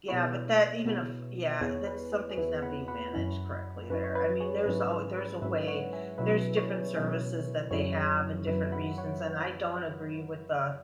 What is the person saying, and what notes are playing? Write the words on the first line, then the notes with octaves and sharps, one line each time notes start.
Yeah, but that, even if yeah, that's something's not being managed correctly there. I mean, there's al there's a way, there's different services that they have and different reasons, and I don't agree with the
B2 B3 E4 G#4 C#5
B2 B3 E4
E5
E2 E3 B3 E4 G#4 C#5
B4
G#4
G#4
E2 E3 B3 E4 B4
F#5 B5
F#5 B5
F#2 E3 C#4 E4
F#2 E3 C#4 E4 B4
C#5
B4
G#4 C#5
G#2 F#3 C#4 E4 B4
G#4
B4
G#2 F#3 C#4 E4 B4 E5
C#5 F#5
E5 G#5
B2 F#3 C#4 E4 B4 E5
G#4 C#5
B2 F#3 C#4 E4
F#2 F#3 C#4 E4 G#4 C#5
F#2 F#3 C#4 E4 B4 E5
F#5 B5
C#5 F#5